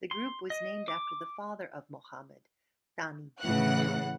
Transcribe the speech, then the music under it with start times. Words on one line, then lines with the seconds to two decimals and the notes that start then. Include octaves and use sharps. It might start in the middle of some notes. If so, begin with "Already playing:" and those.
The group was named after the father of Mohammad, Thani bin Mohammad.
0.11 C6
0.50 D#5
0.88 D6
3.41 A2 C#3 E3 F#5 F#6